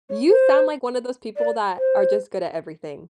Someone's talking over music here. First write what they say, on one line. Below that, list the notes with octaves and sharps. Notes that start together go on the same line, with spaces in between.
You sound like one of those people that are just good at everything.
C#5
C5
D5
C5